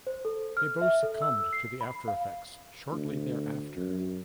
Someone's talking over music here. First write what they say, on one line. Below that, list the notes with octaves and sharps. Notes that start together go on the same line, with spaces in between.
They both succumbed to the aftereffects shortly thereafter.
C5
A4
F6
E5
A4
E6
C7
B5
F5
D2
F#2